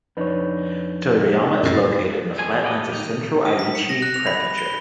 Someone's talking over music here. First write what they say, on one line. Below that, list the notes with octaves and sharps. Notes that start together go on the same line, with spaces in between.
Toyoyama is located in the flatlands of central Aichi Prefecture.
F2 D4 D#4 B4 C#5
F#2 A2
E2 A2 F3 G#4 G#5
G4 A4 B4 D5 D#5
D#3 D#4
D#6
B6
C#7
A#6
F#6
F7
B5
B5
G7